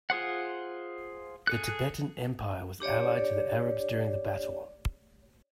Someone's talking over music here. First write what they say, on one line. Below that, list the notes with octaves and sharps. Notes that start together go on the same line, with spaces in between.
The Tibetan Empire was allied to the Arabs during the battle.
F4 G#4 C5 F#5
G#4 A4 F#6
D4 G4 C#5 D5